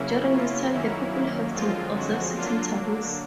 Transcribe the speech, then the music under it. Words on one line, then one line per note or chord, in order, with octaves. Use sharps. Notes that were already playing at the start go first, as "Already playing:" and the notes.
During this time, the people have to observe certain taboos.
Already playing: C#3 F#3 A#3 C#4 E4
F4
F#2 D#3 F#3 A#3 C#4 E4
F#2 D3 F3 G#3 C4 F4
F#3 F#4
D3 F#3 A#3 D4 F4